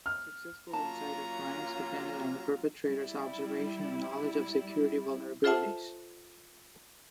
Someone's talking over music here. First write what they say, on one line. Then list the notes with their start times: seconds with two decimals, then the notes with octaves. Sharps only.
Successful insider crimes depended on the perpetrators' observation and knowledge of security vulnerabilities.
0.06 F6
0.73 F#3 A#3 C#4 F4 A5 A#5
2.84 G3 E4
5.44 F4 A4 C5 E5 F#5 A5